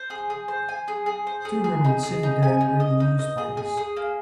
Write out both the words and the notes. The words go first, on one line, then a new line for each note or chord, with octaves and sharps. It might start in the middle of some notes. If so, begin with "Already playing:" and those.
Two women sitting down reading newspapers.
Already playing: C5
G#4
G#4
C5
G#5
G#4
G#4
C5
G#4
G#4
D#4
G#4
D#4
G#5
D#4
D#5
D#4
D#5
G#4
G#4
G#4
A#3